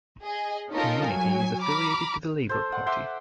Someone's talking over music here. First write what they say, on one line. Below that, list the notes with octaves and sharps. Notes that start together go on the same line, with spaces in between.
Community is affiliated to the Labour Party.
G#4 D#5
C#4 D#4 F4 A4 A#4 D#5
F#3 G#5
A#5 B5 D6 F6
A4 C5
F#5
E5 F#5 C6 D6